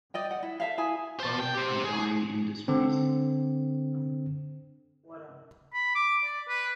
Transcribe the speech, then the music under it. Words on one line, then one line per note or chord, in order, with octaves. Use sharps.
Both are dying industries.
D5 D#5 G5
F#5
E4
A4 E5 F5
E4 G#4 G#5
C5 A5
G5
G4 C5
G#4
D3 C4
B5
D6
D5
B4